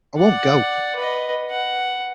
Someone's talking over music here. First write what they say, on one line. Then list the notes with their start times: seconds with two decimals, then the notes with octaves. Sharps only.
I won't go!
0.18 D5 F#5
0.96 B4 D#5
1.50 F#5